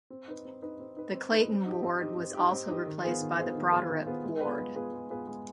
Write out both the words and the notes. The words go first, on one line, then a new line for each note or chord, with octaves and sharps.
The Clayton Ward was also replaced by the Broderip Ward.
C4
D#4 B4
C4
D#4 B4
C4
D#4 B4
C4
D#4 B4
C4
D#4 G4
C4
D#4 G4
C4
D#4 G4
C4
D#4 G4
D#3
B3 F4 G#4 C5
D#3
B3 F4 G#4 C5
D#3
B3 F4 G#4 C5
D#3
B3 F4 G#4 C5
G#3
B3 F4 G#4 B4
G#3
B3 F4 G#4 B4
G#3
B3 F4 G#4 B4
G#3